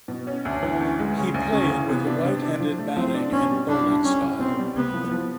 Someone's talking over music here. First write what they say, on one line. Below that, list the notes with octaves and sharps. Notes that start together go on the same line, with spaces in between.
He played with a right-handed batting and bowling style.
B2
C#4
D2 D4
E3
D2 C#4
G#3
C#3 C#4
D2
C#3 C#4
E3
C3 B3
D4
C3
D4
F3
A3
F3 C4
D4
B2 C#4
G3
C2 D4
G3
G3 C#4
C2
B2 C4
G3
C3 B3
F3
F3